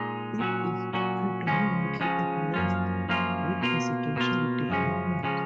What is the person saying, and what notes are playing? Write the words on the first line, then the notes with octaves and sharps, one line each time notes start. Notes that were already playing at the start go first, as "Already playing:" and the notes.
It is predominantly urbanised, with residential development.
Already playing: A#2 G#3 D#4
A#2 F#3 C#4 F#4
A#2 F#3 C#4 F#4
C#2 C#3 F3 G#3 C#4
C#2 C#3 F3 G#3 C#4
F#2 F3 A#3 C#4 F4
F#2 F3 A#3 C#4 F4
B2 A#3 F4
B2 A#3 F4
F#2 C#3 F3 G#3 C#4
C#3 F3 G#3 C#4